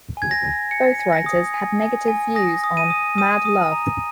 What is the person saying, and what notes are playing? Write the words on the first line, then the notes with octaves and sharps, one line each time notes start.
Both writers had negative views on "Mad Love".
G#5 G#6
A#6
G#5
G#5 C#7
G#5
A#6
D#6
G#5
G#5
G#5
D#6 A#6
D#6
D#7
D#6
D#6 D#7
D#6
A#5